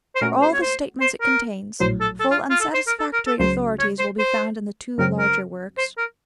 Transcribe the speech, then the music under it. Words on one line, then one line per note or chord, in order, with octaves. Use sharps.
For all the statements it contains, full and satisfactory authorities will be found in the two larger works.
C5
A#2 A3 C#4 F#4 A#4
C5
C#5
C5
C5
A#4
A#1 A2 F#3 C5
A4
A4
F4
F4
A4
C5
A#4
A4
A#4
A4
C#2 C#3 F#3 C5
C#5
C5
C5
F#2 C#3 F#3 C4 A#4
A#4
C5
A#4